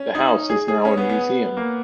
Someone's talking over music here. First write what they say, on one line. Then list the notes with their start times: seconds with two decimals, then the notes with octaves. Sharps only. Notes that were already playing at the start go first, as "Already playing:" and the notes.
The house is now a museum.
Already playing: C#4
0.15 D#4
0.50 G#4
0.68 G#4
0.85 C#4
0.97 B3
1.09 B3
1.57 A#3